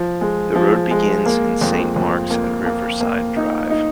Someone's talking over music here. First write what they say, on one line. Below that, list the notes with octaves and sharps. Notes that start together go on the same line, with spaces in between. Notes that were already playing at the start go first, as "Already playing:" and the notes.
The road begins in Saint Marks at Riverside Drive.
Already playing: F3
G#3
F3
G#3
A#3
F2
F2
A#3
A#3
A#3
D#4
D#4